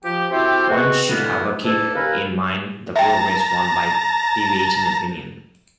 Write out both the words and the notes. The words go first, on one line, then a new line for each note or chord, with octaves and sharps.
One should however keep in mind the real risk run by deviating opinion.
F3 G4
C4 E4 F#4 G4 A4 C5
G#3 B3 C4 F#4
D3 E3 G#3 A#3 B3
E2 G#2 D4 E4 A4
D#2 A#3 C#4 E4 A#4 B4
E5 G5 A5 A#5